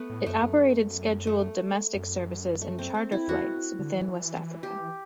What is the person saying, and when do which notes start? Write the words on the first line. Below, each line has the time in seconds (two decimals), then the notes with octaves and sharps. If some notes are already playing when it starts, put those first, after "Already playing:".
It operated scheduled domestic services and charter flights within West Africa.
Already playing: A3 B3
0.10 A2
0.26 F#2 A3
0.43 F#2
1.27 A3
1.94 F#2
2.62 A3
2.79 C4
2.94 C4
3.12 E4
3.28 E2 F#4
3.45 B2
3.79 D3
3.95 E3
4.63 G4